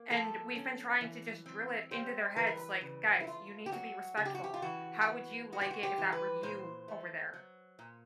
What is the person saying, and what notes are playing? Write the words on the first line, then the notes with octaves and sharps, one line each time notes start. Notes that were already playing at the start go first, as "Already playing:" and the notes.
And we've been trying to just drill it into their heads, like, "Guys, you need to be respectful. How would you like it if that were you over there?"
Already playing: A#3
F3 A4
C#4
E3
C4
G3 C5
E3 B4
A#4
B4
C#3
E4
A3 F4
G4
F#3 F#4
C#3 G#4
G4
F#4
G4
F4
E3 F#4
B3
G#3 F#4
G4
F#4
G4
E3
B4
A#2 C5
A3
F#3
A#2